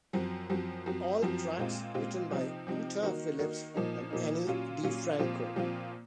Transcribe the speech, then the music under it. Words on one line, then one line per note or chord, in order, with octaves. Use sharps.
All tracks written by Utah Phillips and Ani DiFranco.
F#2 F3 C4 F#4
F#2 F3 C4 F#4
F#2 F3 C4 F#4
F#2 F3 C4 F#4
A#2 G#3 C4 F4
A#2 G#3 C4 F4
C3 F3 C4 D#4
C3 F3 C4 D#4
D#3 A#3 D#4 F#4
D#3 A#3 D#4 F#4
A#2 F3 A#3 D#4
A#2 F3 A#3 D#4
A#2 F#3 C#4 F4
A#2 F#3 C#4 F4
A#2 F3 C4 F4
A#2 F3 C4 F4